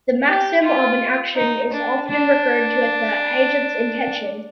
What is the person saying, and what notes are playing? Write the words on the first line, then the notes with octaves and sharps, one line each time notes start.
The maxim of an action is often referred to as the agent's intention.
G4
F4
D#4
D4
D4